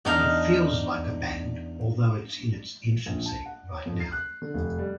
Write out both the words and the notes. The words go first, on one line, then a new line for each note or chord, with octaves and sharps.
It feels like a band, although it's in its infancy right now.
E2 D4 D#4 F5
A#1
A5
F#5
C#5
F2
C7
F#6
D3
F1
G3